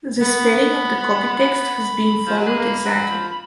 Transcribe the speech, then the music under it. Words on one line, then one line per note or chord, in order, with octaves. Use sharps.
The spelling of the copy-text has been followed exactly.
B3 B5
F3
F#3
G#3
A#3
F#3
F3
B5